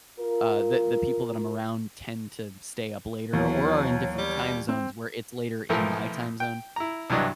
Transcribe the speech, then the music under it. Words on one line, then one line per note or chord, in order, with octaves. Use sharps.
uh, the the people that I'm around tend to stay up later or are in different time zones where it's later in my time zone,
F4 A#4
D#2 B2 E3 F#3 B3
G3
C4
B1 E3 F3 A3 E4 A#4
G5
E4 A#5
C2 G2 E3 F#3 D4 D#5